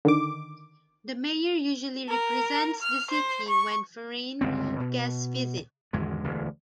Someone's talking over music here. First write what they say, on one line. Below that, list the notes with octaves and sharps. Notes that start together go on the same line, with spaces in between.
The mayor usually represents the city when foreign guests visit.
D3 D#3 D6
A#4
F6
C5
C#6
G1 C#2 C4
B2
G#1 E2 D3 G#3
E1 D2